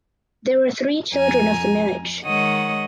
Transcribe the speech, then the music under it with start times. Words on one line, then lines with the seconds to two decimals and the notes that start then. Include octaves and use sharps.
There were three children of the marriage.
1.13 F2 G#5 A#5
2.25 D#3 G#3 C#5 D#5 F#5 D#6